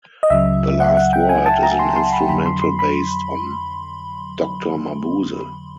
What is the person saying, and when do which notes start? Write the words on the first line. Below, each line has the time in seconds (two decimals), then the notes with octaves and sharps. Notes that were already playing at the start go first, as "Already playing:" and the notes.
"The Last Word" is an instrumental based on "Doctor Mabuse".
0.23 D#5
0.30 C#2 C#3 F#3 E5
0.80 F#5
0.97 F#5
1.13 G5
1.29 G#5
1.46 A5
1.63 A#5
1.79 C6
1.96 C6
2.13 B5
2.29 F2 D3 F#3 B5
2.46 C6
2.62 C6
2.79 B5